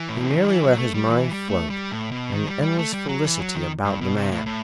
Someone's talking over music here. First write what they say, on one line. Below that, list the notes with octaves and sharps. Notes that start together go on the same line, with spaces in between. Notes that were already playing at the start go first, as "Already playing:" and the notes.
He merely let his mind float in an endless felicity about the man.
Already playing: E3
A2
B2
C3
D#3
E3
F#3
A3
G3
E3
G3
A3
G3
A2
B2
D#3
G3
G3
A3
G3
F#3
E3
F#3
D#3
G2
B2
C3
A2
A2